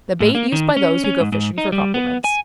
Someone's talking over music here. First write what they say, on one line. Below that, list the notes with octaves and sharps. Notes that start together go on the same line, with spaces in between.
The bait used by those who go fishing for compliments.
A2
A#3
D#3
C#4
C#4
G#2
G#2
D#4
G3
B3
G#5